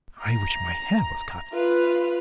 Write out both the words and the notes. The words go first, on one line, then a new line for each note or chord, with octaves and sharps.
I wish my hair was cut!
A#5
F4 B4